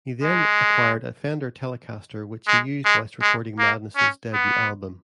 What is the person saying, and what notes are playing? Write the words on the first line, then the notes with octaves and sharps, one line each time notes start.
He then acquired a Fender Telecaster which he used whilst recording Madness' debut album.
G#3
G#3
G#3
G#3
A#3
C#4
B3